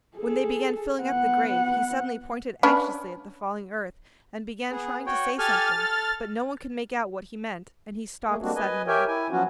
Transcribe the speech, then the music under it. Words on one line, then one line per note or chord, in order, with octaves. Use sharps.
When they began filling up the grave, he suddenly pointed anxiously at the falling earth and began trying to say something, but no one could make out what he meant, and he stopped suddenly.
G#4 A4
B3 F#5
C#4 D4 B4
B3 G#4
F#4 C#5 G5
G4 A4 G#5 F6 A6
A4
A3 A#3 G#4
G3 G#3 A#3 C4 D4 F#4
B4 D#5 G#5
G4 A#4 C#5 E5 G5 G#5
E4 G#5
F3 F#3 B3 C#4 F#4